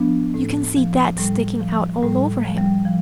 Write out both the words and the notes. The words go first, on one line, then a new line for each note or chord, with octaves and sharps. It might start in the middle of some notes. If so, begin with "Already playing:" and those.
You can see THAT sticking out all over him.
Already playing: F3 B3 D4
A2
F3
A2 G3
F3
A2 G3
F3
G3
F3